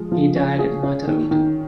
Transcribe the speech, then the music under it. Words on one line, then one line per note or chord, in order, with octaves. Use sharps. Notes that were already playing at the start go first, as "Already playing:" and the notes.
He died in Mata-Utu.
Already playing: F3 G#3
F3
C#4
G#4
C#4
D#3
D#3